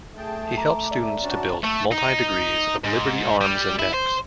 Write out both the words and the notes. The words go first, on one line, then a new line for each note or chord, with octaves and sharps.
He helped students to build multi-degrees of liberty arms and necks.
A3 G#4 G5 A5
A#5 D6
D5 E5
C#4 D4 F#4 A5
A3
D#4
G#2
G3
E4
C5